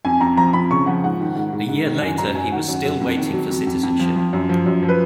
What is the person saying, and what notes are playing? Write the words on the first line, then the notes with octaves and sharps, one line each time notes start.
A year later he was still waiting for citizenship.
F2 G#5
F2 A#5
F3 A#5
F2 B5
C#3 C#6
F3 F#5
G#2 F#5
D#3
G#2
G#2
G#2
D#3
F#2 G#5
F#2 A#5
F#3 G#5
D#3 F#5
F#2
F#2
F2
D#3
F#3
F2
F2
F2
F3
F3
F#2
F3
F#2
F3
B4